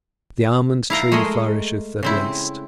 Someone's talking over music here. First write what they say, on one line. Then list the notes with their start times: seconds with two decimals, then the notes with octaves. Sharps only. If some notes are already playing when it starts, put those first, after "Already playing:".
The almond-tree flourisheth at least.'
0.90 E4 F5 A#5
1.12 G#3 A3 G#4 A#4 D#5
2.03 C#3 C4 E4